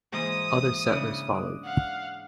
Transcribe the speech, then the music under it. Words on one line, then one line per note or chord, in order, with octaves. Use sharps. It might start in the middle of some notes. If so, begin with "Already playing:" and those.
Other settlers followed.
G#2 E3 A#3 D#6
C#3 D4 E4
D4 D#6
F5 F#5